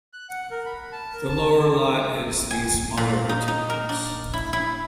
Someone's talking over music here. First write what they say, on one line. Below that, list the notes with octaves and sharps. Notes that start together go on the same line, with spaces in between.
The Lower Lot is the smaller of the two lots.
F#6
F#5
A#4
B5
A5
A#4
A5
G#5
A#2
D#4
D#4
A#4
D4
E4
E4